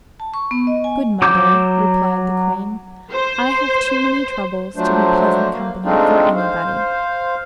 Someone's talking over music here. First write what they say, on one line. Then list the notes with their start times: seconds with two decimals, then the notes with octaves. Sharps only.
"Good mother," replied the queen, "I have too many troubles to be pleasant company for anybody."
0.20 A5
0.34 C#6
0.51 B3
0.67 D#5
0.84 G#5
1.22 F#3 D6 E6 G6
3.12 C5
4.76 F3 F#3 A3 D4 C5
5.50 A#3
5.84 G#3 A3 C4 D4 D#4 F4
6.36 C5 F5